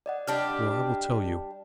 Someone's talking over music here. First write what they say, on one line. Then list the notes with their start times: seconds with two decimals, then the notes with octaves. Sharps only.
Well, I will tell you.
0.06 D5 D#5 F#5
0.28 G3 D4 G4 D#5 F6